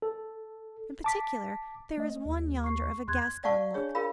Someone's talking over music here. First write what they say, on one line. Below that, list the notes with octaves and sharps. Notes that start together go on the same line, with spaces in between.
In particular, there is one yonder of a Gascon look.
A4
A5 D6 B6
A3 D#5
D#2
C#6 C7
E2 C6 F#6 G#6
D5 F5 F#5 A5 C#6
D4 G#4 C#5
F4 G#4 A#4 F5 B5